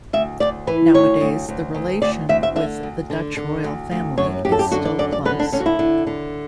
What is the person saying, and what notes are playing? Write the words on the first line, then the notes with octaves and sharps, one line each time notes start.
Nowadays, the relation with the Dutch Royal Family is still close.
D2 E5
D2 D5
E3 B4
D2 C#5
D2
D2
D2
D2 D5
D2 E5
E5
D3 E5
D2
D3
D3
D2
D2
F#2 C#5
F#2 G4
A4
G4
D3 F#4
D5
F#2 D5
D5
D3 B4
D4
D3 C#4
F#4
E4
D3
D3